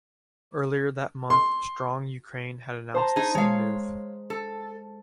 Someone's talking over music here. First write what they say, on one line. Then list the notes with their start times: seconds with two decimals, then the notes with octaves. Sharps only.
Earlier that month Strong Ukraine had announced the same move.
1.30 C6
2.94 C5 A5 A#5
3.16 D#4 G#4
3.35 G#3 C#5 F5
4.30 A4